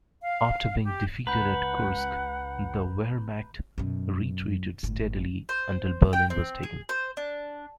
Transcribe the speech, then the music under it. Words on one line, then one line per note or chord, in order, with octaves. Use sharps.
After being defeated at Kursk, the Wehrmacht retreated steadily until Berlin was taken.
F5
G4
C#2 B4 F#5 A#5 B5 G6
F#2 B2
G1 A2
C5
G5
C4
G#4
C5
D4